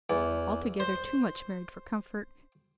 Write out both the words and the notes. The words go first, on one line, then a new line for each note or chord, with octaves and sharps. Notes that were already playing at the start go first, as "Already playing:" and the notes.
Altogether too much married for comfort.
E2
C5